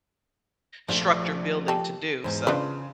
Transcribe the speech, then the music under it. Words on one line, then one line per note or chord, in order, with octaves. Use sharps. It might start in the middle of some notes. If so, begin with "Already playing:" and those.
structure building to do so.
A#1 F3 A3
G4 A4
E2 G#2 C5
C#3 D4 F4 B4 C5